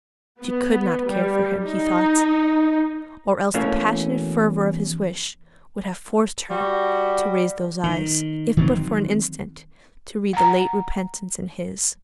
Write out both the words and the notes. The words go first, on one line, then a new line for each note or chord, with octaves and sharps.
She could not care for him, he thought, or else the passionate fervour of his wish would have forced her to raise those eyes, if but for an instant, to read the late repentance in his.
B3
G3
D#4
E2 B2 E3 A3 A#3 C#4
G3 F#4
D#3
D#3 F#3 C4
F#5 A#5